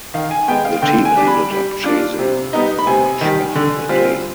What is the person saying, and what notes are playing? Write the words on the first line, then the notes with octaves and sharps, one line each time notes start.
The team ended up chasing for much of the day.
D#3 F5
G#5
G#3 B3 G5
F5
D3 G5
G#5
G3 D4
B5
G3
D4 F4
C3
G3 B3 D#4
B5
C3 G#5
D#3 G3
D3
G3 C4 F4